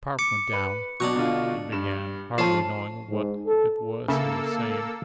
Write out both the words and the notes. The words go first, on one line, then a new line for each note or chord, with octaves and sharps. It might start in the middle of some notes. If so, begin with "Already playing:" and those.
"Park went down," he began, hardly knowing what it was he was saying.
D6 C#7
B4
B2 F#3 D4 A#5 C#6
B2 D3 F4
G2 E7
F2 F4 C#5 A5 C7 E7
G#2
A4
C#3 A#3 A4 E5 E6